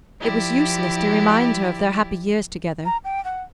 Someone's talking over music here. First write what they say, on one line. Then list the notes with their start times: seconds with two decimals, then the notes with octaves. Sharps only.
It was useless to remind her of their happy years together.
0.19 F3 E4 G4 D5
2.85 A#5
3.04 G5
3.25 F#5